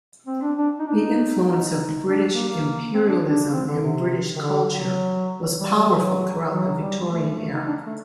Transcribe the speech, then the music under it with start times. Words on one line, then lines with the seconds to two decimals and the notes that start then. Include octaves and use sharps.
The influence of British imperialism and British culture was powerful throughout the Victorian era.
0.27 C4
0.42 D4
0.58 D4
0.79 D#4
0.87 D4
0.95 D#4
1.46 D#4
2.05 D4
2.34 A#3
2.49 A#3
2.94 C4
3.08 D4
3.24 D4
3.52 C4
3.68 D3
3.82 C3
4.36 D#3
4.41 D3
4.72 F#3
5.60 G3
5.75 G3
5.89 F#3
6.49 F#3
6.77 G3
7.08 A3
7.37 A3
7.53 D#4
7.66 D4
7.86 A3